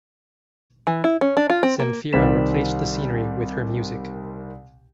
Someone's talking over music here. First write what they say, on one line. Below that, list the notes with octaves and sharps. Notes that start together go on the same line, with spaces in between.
Zemfira replaced the scenery with her music.
E3
E4
C#4
D4
F4
C4
A#3
C2 D#3 G3 C4 B6 E7